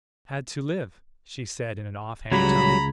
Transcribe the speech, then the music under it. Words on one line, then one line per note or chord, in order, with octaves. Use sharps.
"I had to live," she said in an off-hand tone.
C#2 C#3 F#3 G3 A#5 B5 G#6